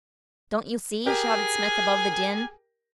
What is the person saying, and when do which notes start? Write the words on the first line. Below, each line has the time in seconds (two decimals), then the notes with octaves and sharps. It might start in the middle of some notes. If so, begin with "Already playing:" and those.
"Don't you see?" shouted Smith, above the din.
1.06 G4 G#4 A#4 G#5